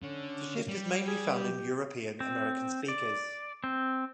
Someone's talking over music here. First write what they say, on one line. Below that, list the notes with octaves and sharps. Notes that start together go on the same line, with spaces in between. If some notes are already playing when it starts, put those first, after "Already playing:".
The shift is mainly found in European American speakers.
D3 C#4
G3
G#4
G4
C4
D5
C4